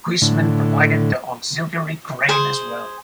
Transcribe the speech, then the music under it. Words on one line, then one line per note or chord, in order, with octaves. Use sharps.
Huisman provided the auxiliary crane as well.
A2 D3
G#4 C5